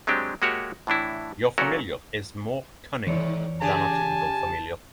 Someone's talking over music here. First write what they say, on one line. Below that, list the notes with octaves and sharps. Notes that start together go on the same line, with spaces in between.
Your familiar is more cunning than a typical familiar.
F#3 G#3 C4 D4 G4
G#3 A#3 F#4 G4 C#5 E5
A2 E3 D4 E4
A#2 F#3 C#4 F#4 A4 A#4
G#2 D#3 E3 C#5 D5
C#3 G4 G#4 G#5 A5